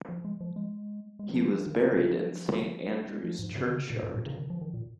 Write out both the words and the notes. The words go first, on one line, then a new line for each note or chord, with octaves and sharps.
He was buried in Saint Andrew's churchyard.
F3
G#3
F3
G#3
G#3
F3
D#3
C#3
F3
G#3
F3
G#2
C#3
D#3
C#3
A#2
G#2
A#2
C#3
D#3
F3
D#3
A#2